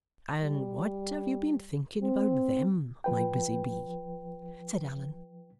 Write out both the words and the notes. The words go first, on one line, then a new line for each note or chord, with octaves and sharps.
"And what have you been thinking about THEM, my busy bee?" said Allan.
G3
C4
F3 B4 G5